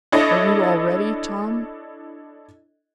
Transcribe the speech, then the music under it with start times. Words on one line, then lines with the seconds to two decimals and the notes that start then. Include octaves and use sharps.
"Are you all ready, Tom?"
0.12 D4 E4 A4 C#5 D#5